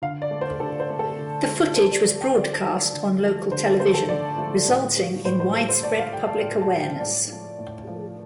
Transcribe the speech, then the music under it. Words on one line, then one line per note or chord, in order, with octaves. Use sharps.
The footage was broadcast on local television, resulting in widespread public awareness.
D3 F5
D5
A3
C5
D3 A4
C5
A3
A4
D3
A3
D3 C5
D5
A3 D5
G5
D3 D5
C5
A4
F3 A3 C5
D3
F3 A3
D3 C5
A4
F3 A3 C5
A4
D3 D5
F3 A3
A2
G3
A2 C5
C5
G3 A4
C5
A2 D5
F5
G3 G5
A5
A2 G5
A5
G3
G5
A2 D5
F3 A3
A2
F3 A3